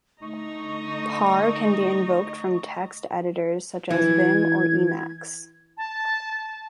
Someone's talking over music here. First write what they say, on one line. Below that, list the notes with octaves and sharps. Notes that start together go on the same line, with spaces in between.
Par can be invoked from text editors such as Vim or Emacs.
D3 A3 D#4 D#5 A#5 C#6
E3 G#6
A5